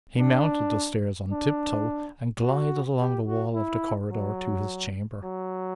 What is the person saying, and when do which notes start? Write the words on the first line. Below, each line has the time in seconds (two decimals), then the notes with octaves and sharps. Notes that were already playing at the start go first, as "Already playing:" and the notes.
He mounted the stairs on tip-toe and glided along the wall of the corridor to his chamber.
0.18 D4
1.31 D4
2.42 F#4
2.99 G4
3.26 F#4
3.54 E4
4.11 F#3
5.23 F#3